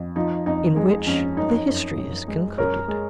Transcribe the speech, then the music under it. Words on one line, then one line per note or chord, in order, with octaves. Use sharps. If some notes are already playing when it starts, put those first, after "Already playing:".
In which the history is concluded.
Already playing: F2
F3 D#4
F2 D#4
G#3
F2 C#4
F#2 D#4
F#2
F#2
G#3
F#2 A#4 C#5
G#3